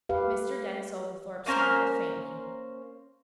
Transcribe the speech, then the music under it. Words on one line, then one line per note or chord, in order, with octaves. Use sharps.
Mr. Denis Oglethorpe smiled faintly.
G4 B4 F5
A#3 C#4 A#4 C5